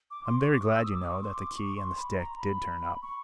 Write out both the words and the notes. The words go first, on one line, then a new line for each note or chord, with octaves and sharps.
I'm very glad, you know, that the key and the stick did turn up.
D6
C6
C#6
D6
D#6
E6
D#6
D6
C#6
C6
D6
C#6
C6
B5
A#5
B5
C#6